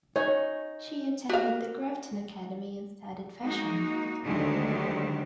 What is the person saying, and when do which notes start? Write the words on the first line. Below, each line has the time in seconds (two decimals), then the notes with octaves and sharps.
She attended the Grafton Academy and studied fashion.
0.16 D#4 C#5
1.29 F#4 G4 F5
3.43 G#3 A#3 D#4 F#4
4.24 D2 D3 D#3 F#3 G#3 G4